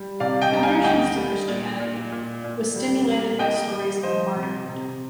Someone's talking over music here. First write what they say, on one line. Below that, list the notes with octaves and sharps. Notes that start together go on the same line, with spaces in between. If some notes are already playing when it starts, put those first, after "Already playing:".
Conversions to Christianity, was stimulated by stories of martyrhood.
Already playing: G3
C3 D5 F5
D#5 G5
G3 A#5
F5 G#5
D2 D#5 G5
G3
A#2
A#2
A#2
A#2
G3
A#3
A#3 D#5 G5
G3
F3 C5 D#5
C3
C3